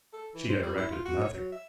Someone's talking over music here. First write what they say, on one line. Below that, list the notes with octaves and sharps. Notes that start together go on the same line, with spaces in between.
She had erected nothing.
A4
E3
C5
G3
E4
F4
F#4
C#5
F#3
E5